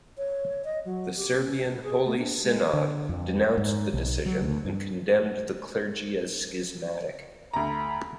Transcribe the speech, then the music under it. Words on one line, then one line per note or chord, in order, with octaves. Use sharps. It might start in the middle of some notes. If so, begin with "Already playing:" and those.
The Serbian Holy Synod denounced the decision and condemned the clergy as schismatic.
C#5
D#5
F#3
G4
C#4
B3
G#4
A3
D4
G#3
D3
F2
G#2
B1
F#3
D2
G2
D2 A#5 B5